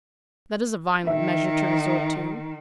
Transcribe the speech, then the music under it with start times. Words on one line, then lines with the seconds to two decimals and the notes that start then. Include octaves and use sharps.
"That is a violent measure to resort to."
1.07 D#3 E5